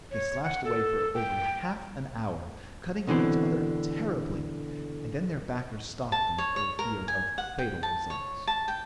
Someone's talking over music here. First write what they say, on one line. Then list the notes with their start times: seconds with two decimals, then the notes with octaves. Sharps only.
They slashed away for over half an hour, cutting each other terribly, and then their backers stopped them for fear of fatal results.
0.11 C#5
0.44 F#5
0.65 A4
1.15 G5
3.07 B2 D3 E3 C4
6.12 A5
6.38 C#5
6.56 C#5
6.79 A#4
7.08 G#5
7.38 F#5
7.58 G5
7.83 A5
8.10 C#5
8.47 A5
8.68 G5